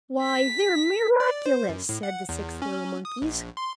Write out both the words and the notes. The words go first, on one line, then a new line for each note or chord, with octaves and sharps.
"Why, they're miraculous!" said the six little monkeys.
B6
D5
C5
F#2
A2
F#5
E2
C#4
D#6
A#1
C6